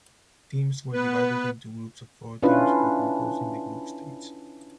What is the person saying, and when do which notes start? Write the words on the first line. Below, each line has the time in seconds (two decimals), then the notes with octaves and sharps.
Teams were divided into groups of four teams for composing the group stage.
0.93 B3 B4
2.43 C#4 D4 E4 F4 B4